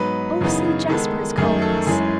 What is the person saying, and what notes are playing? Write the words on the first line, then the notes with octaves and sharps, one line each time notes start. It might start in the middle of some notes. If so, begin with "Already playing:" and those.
"Oh, see, Jasper is calling us."
Already playing: G#2 F#3 B3 D#4 B4
F#2 C#3 E3 B3 D#4
D#3 G#3 B3 D#4 A4
F#2 D#3 A3 D#4 G#4
A4
F#2 E3 G#3 C#4 G#4